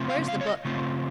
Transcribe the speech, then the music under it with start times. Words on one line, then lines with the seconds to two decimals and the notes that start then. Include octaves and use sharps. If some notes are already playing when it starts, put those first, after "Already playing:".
Where's the book?'
Already playing: C#3 A3 C4 F4
0.10 F5
0.28 F5
0.41 C#5
0.46 D#5
0.65 C#3 A3 C4 F4